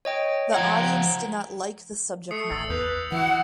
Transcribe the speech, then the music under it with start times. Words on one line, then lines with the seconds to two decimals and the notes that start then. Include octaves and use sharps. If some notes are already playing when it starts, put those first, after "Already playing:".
The audience did not like the subject matter.
0.05 C#5 D#5 G5
0.54 F3 F4 F#5 G5 A#5 G#6
2.31 A3 D#6 C7 C#7
2.51 A1 E6 A6
2.70 E2 B4 G6 C7 F7
3.12 E3 E4 F#4 F#5